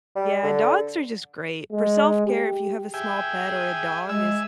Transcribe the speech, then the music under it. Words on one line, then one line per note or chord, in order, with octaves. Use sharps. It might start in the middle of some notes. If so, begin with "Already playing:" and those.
Yeah, dogs are just great. For self-care, if you have a small pet or a dog is
G3
D3
G#3
G4
G#4 E5 G5 G#5
G#3 E5 G#5 E6